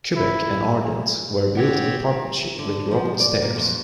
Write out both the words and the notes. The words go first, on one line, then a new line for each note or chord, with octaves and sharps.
"Quebec" and "Ardent" were built in partnership with Robert Stares.
E4
G#1 D#3 C4 G4 C#5 F#5
D3
F3
D5
A#2
F2